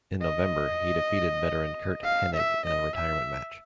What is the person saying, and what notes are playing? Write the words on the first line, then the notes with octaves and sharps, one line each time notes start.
In November, he defeated veteran Curt Hennig in a retirement match.
D#5
F5
E5
D#5
E5